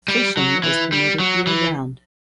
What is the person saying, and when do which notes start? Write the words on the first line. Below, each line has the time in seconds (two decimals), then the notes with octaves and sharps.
Fishing is permitted year round.
0.08 G3
0.37 F#3
0.64 E3
0.92 G3
1.19 F#3
1.47 E3